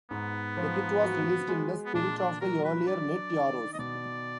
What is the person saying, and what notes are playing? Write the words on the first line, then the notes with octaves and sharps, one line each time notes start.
The kit was released in the spirit of the earlier Net Yaroze.
G#2 B3
F3
F#4
G#3
B3
A#2 D4
D4
F#3 A#4
B4
D4 D5
D#3
D#5
B2 D5